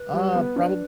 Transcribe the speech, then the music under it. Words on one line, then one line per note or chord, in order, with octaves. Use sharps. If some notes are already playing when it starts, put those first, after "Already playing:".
Uh, probab
Already playing: B4
G3
B3
D4